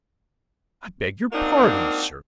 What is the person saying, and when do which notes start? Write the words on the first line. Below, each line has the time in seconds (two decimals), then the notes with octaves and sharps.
I beg your pardon, Sir.
1.33 A#3 C4 D4 D#4 F4 F#4